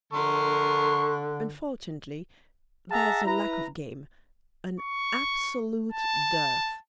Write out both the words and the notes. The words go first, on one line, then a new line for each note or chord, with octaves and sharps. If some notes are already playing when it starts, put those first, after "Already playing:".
Unfortunately, there's a lack of game, an absolute dearth.
D3 A#4 C6 C#6
G#4 E5 F#5 A5 A#5
E4 B4 A#5
C#6
A5